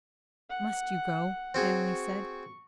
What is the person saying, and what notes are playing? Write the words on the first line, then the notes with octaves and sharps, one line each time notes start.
"Must you go?" I only said.
F#5
C4 F#4 G#4
C#6